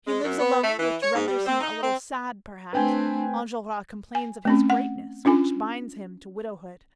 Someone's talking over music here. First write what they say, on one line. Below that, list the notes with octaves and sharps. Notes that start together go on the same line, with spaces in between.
He lives alone, which renders him a little sad, perhaps; Enjolras complains of his greatness, which binds him to widowhood.
G#3
F#2
B3
A3
E3
C#5
G#2
G3
C4
D#4
C4
A3 C4 D4 B4 G5 G#5
G#5
A3 C4 C#4
F#5
C#4 D4 F4 G#5